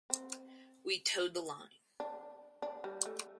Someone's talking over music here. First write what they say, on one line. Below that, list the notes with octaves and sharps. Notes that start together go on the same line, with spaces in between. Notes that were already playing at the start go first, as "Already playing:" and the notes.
We toed the line.
C4
D4
D4
G3
A3